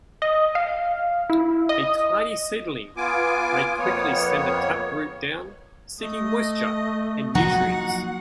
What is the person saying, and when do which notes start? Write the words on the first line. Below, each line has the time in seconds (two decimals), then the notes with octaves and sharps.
A tiny seedling may quickly send a taproot down seeking moisture and nutrients.
0.22 D#5
0.55 F5
1.30 E4
1.69 D#5
2.97 B3 F4 G#5 D6
3.79 F2 A#3 B3 C#5
6.00 A3 D#5
7.35 F3 F#3 A#3 D#4 F#4 F#5